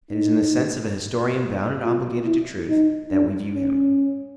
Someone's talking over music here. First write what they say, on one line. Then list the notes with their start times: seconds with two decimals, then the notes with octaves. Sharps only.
It is in the sense of a historian bound and obligated to truth that we view him.
0.11 D#4
1.83 F4
2.25 E4
2.69 D#4
3.12 D4
3.55 C#4